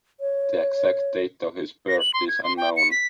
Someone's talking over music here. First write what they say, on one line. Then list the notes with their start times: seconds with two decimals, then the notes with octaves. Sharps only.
The exact date of his birth is unknown.
0.20 C#5
1.88 A#6
2.00 F#7
2.14 C6
2.28 G#6
2.43 C6
2.57 G5
2.77 C#7
2.91 B6